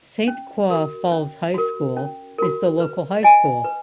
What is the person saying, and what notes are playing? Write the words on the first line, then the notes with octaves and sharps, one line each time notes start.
Saint Croix Falls High School is the local high school.
C#4
F#4 A#4
C#4
F#4 A#4
C#4
F#4 A#4
B4
D#5 G#5
B4